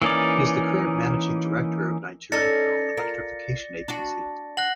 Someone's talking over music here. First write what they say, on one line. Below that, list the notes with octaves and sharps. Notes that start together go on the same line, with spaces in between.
He is the current Managing Director of Nigerian Rural Electrification Agency.
E3 A#3 C#4 D#4 D5
C#4 D#4 A4 D5 A6 A#6 C#7
F4 A#4
D4 F#4
F#5 F#6 A#6 F#7